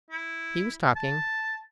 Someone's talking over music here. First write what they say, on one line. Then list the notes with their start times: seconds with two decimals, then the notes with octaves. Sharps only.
"He was talking."
0.11 E4
0.96 A5